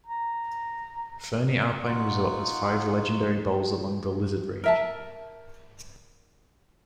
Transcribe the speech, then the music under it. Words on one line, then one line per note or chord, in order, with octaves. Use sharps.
Fernie Alpine Resort has five Legendary Bowls along the Lizard Range.
A#5
D#4 F4 F#4 F#5
A#4 E5 A5